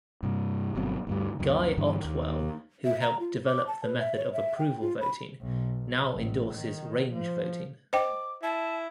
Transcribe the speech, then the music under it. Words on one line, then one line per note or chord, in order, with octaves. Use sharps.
Guy Ottewell, who helped develop the method of approval voting, now endorses range voting.
G2 C3
G1 B2 F#3 C4
D2 G2 G3
C#2 F#2
G2 D3 E3 D4
D#2
E5
A#5
F4
D6
A5
B4
E5
C#5
E5
G5
F4
B5
B1
A1
D#3
F3
C5 D#5 G5 D6
E4 A5